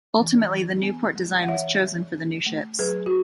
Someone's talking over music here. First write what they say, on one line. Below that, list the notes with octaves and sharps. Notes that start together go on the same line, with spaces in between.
Ultimately, the Newport design was chosen for the new ships.
E3
E3
B3
G#3
F#5
E3 C#5 E5
E3
C#4
A3
F#3 G#4 B4
F#4